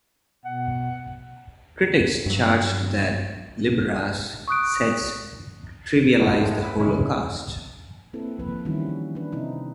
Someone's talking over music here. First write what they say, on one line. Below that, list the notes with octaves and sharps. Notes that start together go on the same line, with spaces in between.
Critics charged that Libera's sets trivialize the Holocaust.
B2 F#5
G2 F#3
C#6 D#6 F#6 D7
G1 F#2 B2 G#4
A2 G#3
E4 B4
G#3 C#4 E4
A#3 C4 E4 A4 B4
F3 A#3 B4
D#3 E3 G3 C#4 E4 F#4
D4 B4
C3 C4 D#4 E4